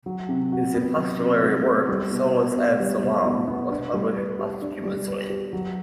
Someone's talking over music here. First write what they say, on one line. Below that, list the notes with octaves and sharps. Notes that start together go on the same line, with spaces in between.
His epistolary work, "Solus ad solam", was published posthumously.
F#3
C3
F#4
B3
F#3
C3
F#4
B3
G3
B2
B2
B3
G3
B2
B2
B3
D4
G3
B4
G4
D4
G3
B4
G4
F#3